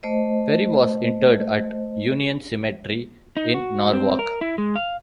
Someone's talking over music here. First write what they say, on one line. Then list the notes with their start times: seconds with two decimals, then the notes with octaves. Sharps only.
Ferry was interred at Union Cemetery in Norwalk.
0.03 A3 C5 D#5
3.37 D#4
3.54 F#4
3.93 C4
4.19 A#4
4.41 E4
4.58 G#3
4.76 F5